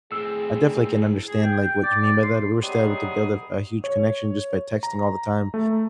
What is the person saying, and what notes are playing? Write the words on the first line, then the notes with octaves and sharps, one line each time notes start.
I definitely can understand, like, what you mean by that, we were still able to build a f a huge connection just by texting all the time.
A2 C4 G#4 E6
G#4
G5
G5
D5
D5
C6
F#3 G3 B3 C4 D#4 G#4
C#5
A#5
A3